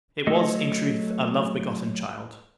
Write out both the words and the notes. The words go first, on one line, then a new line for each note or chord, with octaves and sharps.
It was, in truth, a love-begotten child!
F#3 A3 A4 D#5